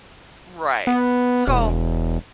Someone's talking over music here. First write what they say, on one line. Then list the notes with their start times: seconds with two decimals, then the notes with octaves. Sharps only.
Right. So
0.87 B3
1.47 E1